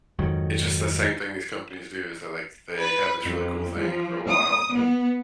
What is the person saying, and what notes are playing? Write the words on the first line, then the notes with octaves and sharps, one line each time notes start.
it's just the same thing these companies do, so, like, they have this really cool thing for a while,
F2 G#2 D#3 F#3
B4
F2
F3
D#6
B3